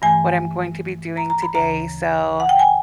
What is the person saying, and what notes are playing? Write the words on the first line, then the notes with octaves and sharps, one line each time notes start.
what I'm going to be doing today, so,
G2 E3 A3 G#5
A#5
A#5
B5
D2 C#3 E3 A#5
F#5
G5
G#5